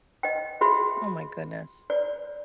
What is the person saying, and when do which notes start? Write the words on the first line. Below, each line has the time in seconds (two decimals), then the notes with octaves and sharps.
Oh my goodness.
0.23 D#5 G5
0.61 F4 F#4 G#4 E5 B5 C6
1.90 D5